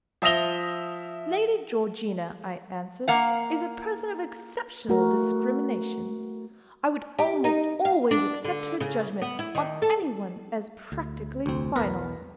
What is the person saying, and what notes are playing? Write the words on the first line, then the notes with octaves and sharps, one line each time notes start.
'Lady Georgina,' I answered, 'is a person of exceptional discrimination. I would almost always accept her judgment on anyone as practically final.'
F3 E5 D#6 A#6 F7 G7
A#3 F5 F#5
A3 F#4 A#4
G4
D#4
F5
D4
D3
C#3
B3
E4
D#3
A4
D2
F1 D2 C4
B1 E2 B3 A#4 B4